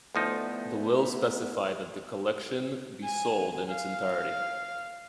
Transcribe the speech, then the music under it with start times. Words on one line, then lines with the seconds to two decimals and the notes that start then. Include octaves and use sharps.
The will specified that the collection be sold in its entirety.
0.15 D2 F3 A3 B3 D#4 E4
3.04 G#5
3.70 F5